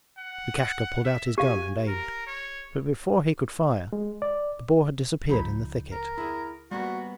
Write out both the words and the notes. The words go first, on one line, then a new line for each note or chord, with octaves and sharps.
Lukashka pulled out his gun and aimed, but before he could fire the boar had disappeared in the thicket.
F#5
E5
G4 F5 G#5
A#4
C#5
G#3
D5
C#2 F3 D#4 B5
A#4
E4 G#4
G3 A#3 B3 F#4